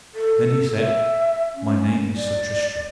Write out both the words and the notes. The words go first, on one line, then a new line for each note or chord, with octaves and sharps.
Then he said: My name is Sir Tristram.
A4
E5
C#4
D5